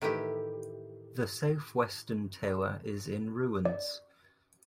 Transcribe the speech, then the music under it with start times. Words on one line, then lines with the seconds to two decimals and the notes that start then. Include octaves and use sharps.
The south-western tower is in ruins.
0.02 A2 D#3 E3 E4 G4
3.65 D5